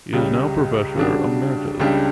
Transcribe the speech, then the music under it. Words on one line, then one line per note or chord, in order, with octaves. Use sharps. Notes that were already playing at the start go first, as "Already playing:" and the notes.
He is now Professor Emeritus.
C#2 C#3 G3
C#3 G3 D4 F#4
C#2 C#3 G3 D4 G4